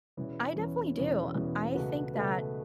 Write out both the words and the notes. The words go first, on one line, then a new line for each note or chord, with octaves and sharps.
I definitely do. I think that,
E1 E2 E3 C#4
E1 E2 E3 C#4
E1 E2 E3 C#4
E1 E2 E3 C#4
C#2 B2 A3 F#4 B4
C#2 B2 A3 F#4 B4